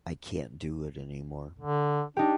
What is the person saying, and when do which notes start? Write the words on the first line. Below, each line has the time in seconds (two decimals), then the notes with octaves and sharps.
I can't do it anymore.
1.59 D3
2.17 D4 D#4 G4